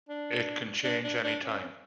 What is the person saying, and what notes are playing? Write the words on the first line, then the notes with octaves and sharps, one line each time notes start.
It can change any time.
D4
D4
D4
D4
C#4